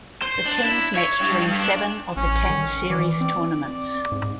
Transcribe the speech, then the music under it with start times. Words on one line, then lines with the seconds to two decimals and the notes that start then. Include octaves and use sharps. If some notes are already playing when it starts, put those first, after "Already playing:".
The teams met during seven of the ten Series tournaments.
0.22 C5
0.46 D4
0.63 E4
0.96 C#5
1.20 G2
1.40 G2
1.60 D4
2.16 A1 C#4
2.49 D#3
2.90 E3 D5
3.21 C4
4.12 G#2